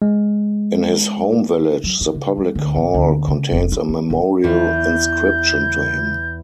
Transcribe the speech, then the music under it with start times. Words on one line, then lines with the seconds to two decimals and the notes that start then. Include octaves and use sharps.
In his home village, the public hall contains a memorial inscription to him.
0.02 G#3
1.84 F#3
2.01 G#3
2.15 C#3
2.37 G3
2.55 D2
2.76 A1
2.94 D2
3.28 C#3
3.52 F1
3.72 E4
3.89 C4
4.10 E1
4.44 E2 G6